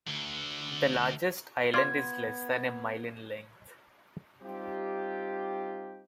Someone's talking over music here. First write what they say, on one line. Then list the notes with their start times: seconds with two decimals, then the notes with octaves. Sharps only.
The largest island is less than a mile in length.
0.08 D2 D3
1.74 B3 F4 B4 D5 F5 C6 G#6
4.43 G3 C4 D#4 F4 G4